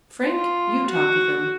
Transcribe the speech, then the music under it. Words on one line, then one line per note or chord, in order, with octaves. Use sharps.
Frank, you talk with him.
F4
F#4